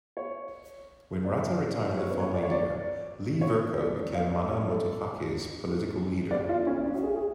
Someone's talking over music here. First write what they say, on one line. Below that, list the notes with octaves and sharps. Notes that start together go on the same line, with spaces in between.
When Rata retired the following year, Lee-Vercoe became Mana Motuhake's political leader.
C#5
D5
C#5
B4
C#5
D5
C#5
D5
C#5
D5
F5
D5
C#5
A4
D5
D5
F4
D4
C#4
D4
C#4
F#4
G#4
G#4